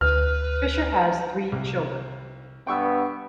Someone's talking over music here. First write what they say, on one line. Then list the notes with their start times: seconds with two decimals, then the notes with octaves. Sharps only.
Fisher has three children.
0.01 D2 B4 F6
1.52 C2
2.67 G2 B3 G5 C#6 E6